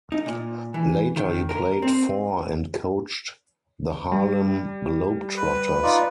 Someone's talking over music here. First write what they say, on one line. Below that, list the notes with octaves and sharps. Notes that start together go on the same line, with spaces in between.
Later he played for and coached the Harlem Globetrotters.
D#4
A#2
E3
D#3
A#4
C4
G3
B4
D#4 F4 D5